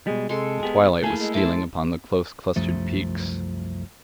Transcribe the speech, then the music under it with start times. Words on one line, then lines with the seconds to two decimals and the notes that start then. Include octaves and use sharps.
The twilight was stealing upon the close-clustered peaks.
0.07 B2 G3 G#3
0.29 C3 G#3 A4 C6
0.63 B3 G4 G#4
1.03 A3 A#3 E4 G#4 A4 G#5
1.20 G#3
1.35 E4 A5 C6 D6
2.56 C2 F#2 F3 A3